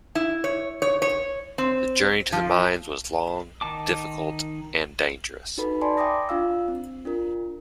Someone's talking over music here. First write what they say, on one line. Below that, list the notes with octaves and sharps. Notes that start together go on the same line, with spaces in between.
The journey to the mines was long, difficult and dangerous.
E4
C#5
C#5
C#5
C4
F3
D#3 D#4 A5 D6
D#4 F#4 A4 B4 B5
D5 G#5 A5 B5 C6
E5 G5 G#5 D6 D#6 A#6
D4 F4 F5 E6
C4
D4 F4 A#4